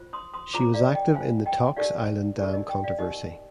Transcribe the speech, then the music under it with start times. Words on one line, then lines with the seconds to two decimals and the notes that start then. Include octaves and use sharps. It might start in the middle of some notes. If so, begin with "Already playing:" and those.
She was active in the Tocks Island Dam controversy.
Already playing: F4 C5
0.13 C6 D#6
0.34 C6 D#6
0.53 F4 C5 A#5 D6
0.74 D5 F5
0.95 D#5 G5
1.15 F4 C5 F5 G#5
1.46 D#5 G5
1.76 D#4 G4 A#4 D5 F5
2.38 D#4 G4 A#4 D5
2.53 D#5
2.69 D#5 G5
2.84 D5 F5
2.99 D#4 G4 A#4 D#5